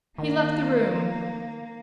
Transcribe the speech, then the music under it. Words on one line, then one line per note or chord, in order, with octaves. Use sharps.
He left the room.
D#3 A#3